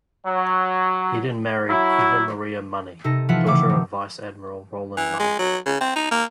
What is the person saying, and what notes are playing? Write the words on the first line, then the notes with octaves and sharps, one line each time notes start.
Eden married Eva Maria Money, daughter of Vice-Admiral Rowland Money.
F#3
F#3 E4
C3 D#4 A4 A#6
E3 F3 F4 E5 F#5
C#3 E3 A3 C4 D6
D#3
E3
G#3
F#3
C#3
C4
D#4
A#3